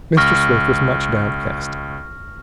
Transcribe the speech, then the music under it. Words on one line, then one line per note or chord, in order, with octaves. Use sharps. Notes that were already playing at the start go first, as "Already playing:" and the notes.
Mr. Swift was much downcast.
C#2 C#6 F6 A#6